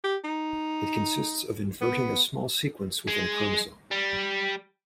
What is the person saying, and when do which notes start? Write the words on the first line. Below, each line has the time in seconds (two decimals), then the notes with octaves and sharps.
It consists of inverting a small sequence within a chromosome.
0.04 G4
0.24 D#4
1.81 B3
3.07 G#3
3.91 G3